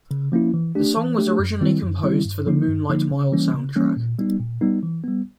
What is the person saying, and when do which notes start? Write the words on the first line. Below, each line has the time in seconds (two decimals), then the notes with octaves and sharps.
The song was originally composed for the "Moonlight Mile" soundtrack.
0.11 C#3
0.32 F3 A#3 C#4 E4
0.54 E3
0.75 A3 D4 G4
0.97 E3
1.18 A3 D4 G4
1.39 F#2
1.61 D#3 G3 C4 E4
1.82 F#2
2.03 D#3 G3 C4 E4
2.25 G2
2.47 D3 F3 A#3 D#4
2.68 G2
2.90 D3 F3 A#3 D#4
3.11 C#3
3.32 E3 G3 A#3 C#4
3.54 C#3
3.76 E3 G3 A#3 C#4
3.97 A#2
4.18 G3 B3 D#4
4.40 A#2
4.61 G3 B3 D#4
4.83 E3
5.04 G3 B3